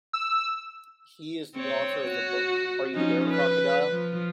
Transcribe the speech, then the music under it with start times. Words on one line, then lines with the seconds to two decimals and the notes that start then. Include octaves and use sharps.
He is the author of the book Are You There, Crocodile?
0.13 E6
1.56 C4 C#5
2.08 F#4
2.94 F3 C#4 D#4
3.31 B4
3.91 F3